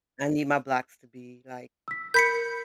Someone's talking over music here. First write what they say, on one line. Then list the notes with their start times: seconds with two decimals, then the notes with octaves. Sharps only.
I need my blocks to be, like
1.88 E6 B6
2.14 A#4 B5 G6 B6 C#7